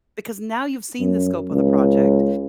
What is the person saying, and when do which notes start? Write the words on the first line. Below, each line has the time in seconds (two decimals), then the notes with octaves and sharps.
Because now you've seen the scope of the project,
1.00 F#2
1.51 C#2